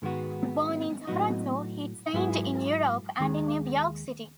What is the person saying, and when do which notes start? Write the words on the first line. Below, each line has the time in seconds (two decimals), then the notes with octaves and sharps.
Born in Toronto, he trained in Europe and in New York City.
0.02 G#2 D#3 G#3 B3 F#4
1.07 A2 F#3 B3 D#4 F#4
2.13 G#2 F#3 B3 E4 G#4
3.19 D#2 D#3 G#3